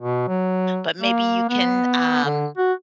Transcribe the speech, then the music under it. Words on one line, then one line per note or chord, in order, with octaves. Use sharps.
but maybe you can, um
B2
F#3
A#3
B3
D3
F#4